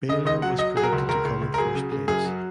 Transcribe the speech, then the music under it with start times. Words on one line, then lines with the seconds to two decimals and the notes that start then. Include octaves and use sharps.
Baylor was predicted to come in first place.
0.09 C#3 D#5
0.25 C#2 D#5
0.42 F#3 F#5
0.59 F#3 D#5
0.76 F#3 G#4
0.84 A#4
0.93 C#2
1.09 C#2 A#4
1.25 C#2
1.42 C#2
1.54 A#4
1.58 F#3 G#4
1.75 C#3
1.92 C#3
2.08 F#2 G#4
2.25 F#3